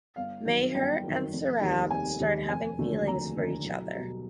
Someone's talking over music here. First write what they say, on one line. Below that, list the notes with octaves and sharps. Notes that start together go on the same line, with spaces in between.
Meher and Sarab start having feelings for each other.
G1 F5
F#2 D#3
G1 G5
F#2 D#3
F1
D#2 D#3 G3
F1 G#5
D#2 D#3 G3
F1 G#5
D#2 D3 F#3 A3
F1 A#5
D#2 D3 F#3 A3
B1
B2 G3